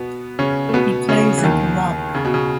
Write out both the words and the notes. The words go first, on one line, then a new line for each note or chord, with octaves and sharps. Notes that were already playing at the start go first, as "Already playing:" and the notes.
He plays in the lock.
Already playing: B2 B3
C#3 C#4
A3
B2 B3
C#3 C#4
E3
D#2 D#3
C#3
B2
C#3